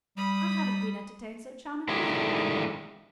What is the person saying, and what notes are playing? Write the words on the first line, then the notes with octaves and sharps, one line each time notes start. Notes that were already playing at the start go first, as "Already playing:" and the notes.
I haven't been entertained so charmingly for a long while.
G3 B5 D#6
D3 D#3 F#3 G#3 E4 G4